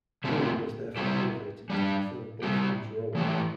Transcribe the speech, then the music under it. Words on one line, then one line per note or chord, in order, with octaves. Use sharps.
Pringle was therefore elevated to fulfill Botham's role.
D3 A3 C4 E4 G4
G3 E4 G4
G3 D4 G4
G3 E4 G4
E3 A3 E4 G4